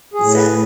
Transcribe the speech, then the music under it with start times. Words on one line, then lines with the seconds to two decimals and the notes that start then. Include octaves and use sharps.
It's sad.
0.14 G#4
0.21 A2
0.35 B4
0.50 A2